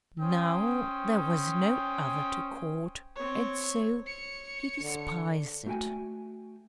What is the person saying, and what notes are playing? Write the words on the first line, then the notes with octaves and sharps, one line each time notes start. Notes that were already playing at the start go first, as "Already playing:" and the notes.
Now there was no other to court, and so he despised it.
C#4 C5 G5 D#6
C4 C#5
C#5 C#7
D3
A3 F#4 G5 G#5